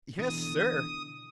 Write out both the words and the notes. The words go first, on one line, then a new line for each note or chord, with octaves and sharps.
"Yes, sir."
B2 D3 E3 D#6